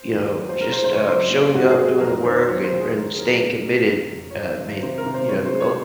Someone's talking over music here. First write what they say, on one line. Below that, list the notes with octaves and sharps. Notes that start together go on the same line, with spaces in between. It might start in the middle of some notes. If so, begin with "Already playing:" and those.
you know, just, um, showing up, doing the work, and and staying committed, uh, made, you know, ul
Already playing: C5
D#2
F#3
C5
G#3 A#4
C5
F#1 C5
C#5
F#3 C5
A#2
G#2 F#4
G#4
G#2
F#4
F2 A#4
D#3 C5
C5
F#3 C#5
C5
D#2
G#4
D#2 A#4
G#4
F#3 A#4
C#3
C#3
F2
F1
C#5
G#1 C5
G#1
C3 C5
A#4
C3
C5
F#2 C#5
C5
G#3
C#5